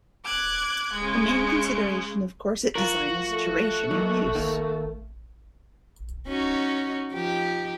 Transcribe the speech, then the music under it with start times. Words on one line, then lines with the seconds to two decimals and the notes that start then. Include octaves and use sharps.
The main consideration of corset design is duration of use.
0.25 D6 F#6 G#6
0.95 C#3 G#3
2.75 F3 F4 F#4 A#4
3.30 A3
3.91 F#3 A#3 D#4
4.35 D#3 A#3
6.28 C#4 D#4 F#4
7.12 F3 D#4 G4